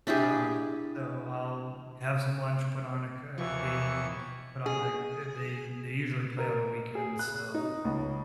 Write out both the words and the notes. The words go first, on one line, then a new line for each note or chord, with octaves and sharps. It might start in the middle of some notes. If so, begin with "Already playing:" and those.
Um, so I'll have some lunch, put on a c game, put on the, uh, they they usually play on the weekends, so
D4 E4 G4 G#4
D#2 E3 F3 C#6
G#4
A#4
G#4
F#6
D#4
C#2